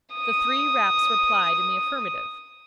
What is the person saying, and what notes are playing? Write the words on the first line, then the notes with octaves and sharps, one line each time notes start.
The three raps replied in the affirmative.
D#6